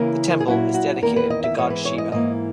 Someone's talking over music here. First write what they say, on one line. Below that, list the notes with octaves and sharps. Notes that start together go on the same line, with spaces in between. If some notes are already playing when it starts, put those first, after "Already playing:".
The temple is dedicated to God Shiva.
Already playing: C#3 E3 A#3 A#4
G#4
A#2 F#3 C#4 E4 F#4
F#4
E2 D#3 A#3 A#4
B4
D#5
E5
G#2 E3 G#3 B3 C#5
B4
C#5
D#5
G#2 E3 A#3 D#5